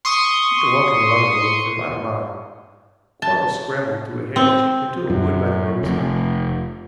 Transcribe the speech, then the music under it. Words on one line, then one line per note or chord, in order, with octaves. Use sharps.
After walking along the road for about a mile Quarles scrambled through a hedge into a wood by the roadside.
C6 C#6 D#6
A5
C4
F#2
F1